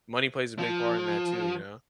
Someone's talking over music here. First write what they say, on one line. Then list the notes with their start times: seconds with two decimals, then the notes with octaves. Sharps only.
money plays a big part in that too, you know?
0.59 F3